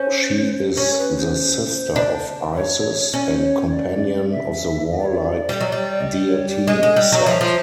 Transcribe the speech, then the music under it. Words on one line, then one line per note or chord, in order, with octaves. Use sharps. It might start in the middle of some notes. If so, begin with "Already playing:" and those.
She is the sister of Isis and companion of the war-like deity, Set.
Already playing: C#4 C5
C#4 C#5
A#4
B4
C5
D4
C#5
C#4 D5
C#5
C5
C#5
D5
E5
D#5
D5
C#5
D5
G3
F#3
G3
D#5
D5
C#5
D5
G#3 D#5
G#3
G3 D#5
F#3
F3 E5
F3